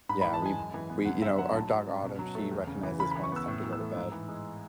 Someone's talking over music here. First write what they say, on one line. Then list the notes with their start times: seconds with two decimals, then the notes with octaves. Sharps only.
yeah, we we you know, our dog, Autumn, she recognizes when it's time to go to bed,
0.09 G#2 B5
0.21 E3 B5
0.33 A5
0.42 G#3 G#5
0.58 F#2
0.74 E3
0.90 B3
1.06 F#2 F#5
1.22 D3 E5
1.38 F#3 F#5
1.55 G#2 A5
1.71 F#3
1.87 C#4
2.02 B2
2.19 F#3
2.35 A3
2.51 E2
2.67 C#3
2.83 E3
3.00 C#3 B5
3.11 E3 B5
3.23 C#6
3.32 B3 E6
3.48 A2
3.64 E3
3.73 E6
3.80 A3
3.97 G#2
4.12 E3
4.28 G#3